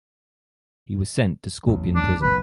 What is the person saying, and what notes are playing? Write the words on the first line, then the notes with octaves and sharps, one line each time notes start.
He was sent to Scorpion Prison.
A1 E2 F#3
D4
F#1 B1 F#2 B4